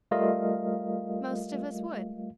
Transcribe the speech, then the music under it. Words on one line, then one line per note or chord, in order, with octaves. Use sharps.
"Most of us would."
G3 A3 F4 A#4 D#5 F5